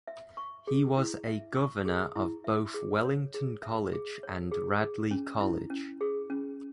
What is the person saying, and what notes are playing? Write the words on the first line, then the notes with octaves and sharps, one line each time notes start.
He was a governor of both Wellington College and Radley College.
E5
C#6
G#4
E4
E5
C#6
G#4
E4
E5
G#4
C#5
G#4
E5
G#4
C#5
G#4
G#4
C#4
E4
C#4
G#4
C#4